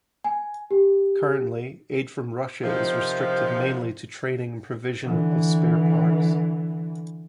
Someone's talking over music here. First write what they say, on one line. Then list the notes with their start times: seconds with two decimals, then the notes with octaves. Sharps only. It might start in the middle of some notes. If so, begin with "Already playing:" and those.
Currently, aid from Russia is restricted mainly to training and provision of spare parts.
0.24 G#5
0.71 G4
2.64 C3 D#3 F3
5.04 D3 E3